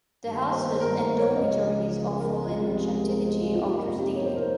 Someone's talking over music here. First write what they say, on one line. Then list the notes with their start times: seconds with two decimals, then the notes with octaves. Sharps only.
The houses and dormitories are full and much activity occurs daily.
0.25 G2 D#3 A#3 D#4
0.52 C5
0.80 A#4
0.99 C5
1.18 C#5
1.36 C#2 C#3 F3 G#3 D#5
2.19 A#4
2.47 C2 C3 F3 G#3 F4
2.75 G4
3.04 A#4
3.21 G#4
3.41 F4
3.54 F4
3.59 F2 C3 G3 A#3 D#4 G4
3.78 A#4
3.96 G4
4.15 C#5
4.25 C5
4.36 A#4